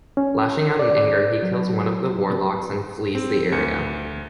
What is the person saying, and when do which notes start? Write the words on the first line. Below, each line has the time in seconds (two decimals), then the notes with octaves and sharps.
Lashing out in anger, he kills one of the warlocks and flees the area.
0.17 C#4
0.79 D5
1.43 F#3
3.15 C4
3.52 D2 C#7